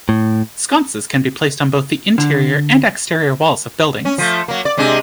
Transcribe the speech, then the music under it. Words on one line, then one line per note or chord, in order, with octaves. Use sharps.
Sconces can be placed on both the interior and exterior walls of buildings.
A2
D3
C#4
F3 A3
F#3 A#3
D5
C3 G#3 D4